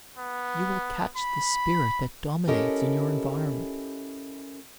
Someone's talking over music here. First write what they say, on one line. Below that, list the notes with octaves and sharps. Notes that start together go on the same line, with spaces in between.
You will catch the spirit that dominates in your environment.
B3
B5
C#4 E4 G4 A4 A#4 D#5